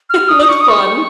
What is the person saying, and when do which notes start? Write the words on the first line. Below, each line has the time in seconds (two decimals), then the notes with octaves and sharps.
looks fun
0.10 F6
0.29 D#6
0.43 D#6
0.49 C#6
0.61 D#6
0.68 C#6